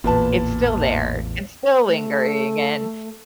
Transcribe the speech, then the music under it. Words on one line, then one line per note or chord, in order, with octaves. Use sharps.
it's still there, it's still lingering and
A1 E2 A#2 B4 A5
A3